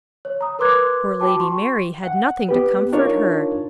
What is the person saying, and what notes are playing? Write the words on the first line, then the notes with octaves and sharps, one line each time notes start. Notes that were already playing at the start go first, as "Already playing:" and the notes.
Poor Lady Mary had nothing to comfort her.
C#5
A#5 D#6
A#4 B4 C6 D6 F#6 G#6
F#4 G5 A5 D6
C6 C#6
F#5
B3 G4 B4
D4 D#4 F4 A#4 C#5